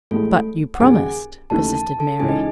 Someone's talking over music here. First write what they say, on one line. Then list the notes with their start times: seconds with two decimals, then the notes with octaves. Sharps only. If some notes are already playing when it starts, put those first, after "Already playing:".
"But you promised," persisted Mary.
0.11 A1 A2 G#3 A3 A4
0.75 F#5
0.80 D#2 C#3 F#3 G#4 G#5
1.50 D#2 C#3 E3 A3 D#4 A5
1.75 A5
2.00 A4 A5
2.19 C#2 C#3 E3 G#3 C#4 G#4 G#5
2.29 D#4 D#5